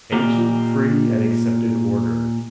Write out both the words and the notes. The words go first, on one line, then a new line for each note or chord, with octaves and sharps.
Ancient free and accepted order.
A#2 A#3 G4